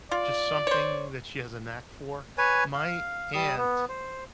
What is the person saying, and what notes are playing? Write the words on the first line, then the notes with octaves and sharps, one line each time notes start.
just something that she has a knack for. My aunt
F4 D5
C5 C#5
B4 C#5 G#5
F5
G3 D#6
B3
C5